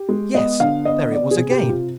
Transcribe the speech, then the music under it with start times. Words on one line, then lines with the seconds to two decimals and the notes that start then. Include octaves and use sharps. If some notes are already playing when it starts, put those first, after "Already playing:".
Yes, there it was again!
Already playing: G4
0.09 G#3
0.35 B3 D#5
0.60 D3 F5
0.85 B3 D#5
1.12 B3 D5
1.31 G#4
1.37 C3
1.50 G4
1.63 C3
1.69 F4